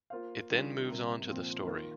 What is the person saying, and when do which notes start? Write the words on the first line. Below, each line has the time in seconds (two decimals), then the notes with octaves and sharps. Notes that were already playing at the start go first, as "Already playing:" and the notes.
It then moves on to the story.
0.10 A#3 F4 C5 F5
0.50 D#3 G3 D4 F4
0.89 C3 G3 A#3
1.27 A#2 F3 C4
1.66 D#3 A#3 F4